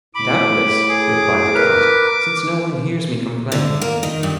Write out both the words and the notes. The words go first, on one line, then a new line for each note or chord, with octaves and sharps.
"Doubtless," replied the count, "since no one hears me complain."
A2 B5 D6
G#4
A#4 B4
D3
A#3
D#3
G2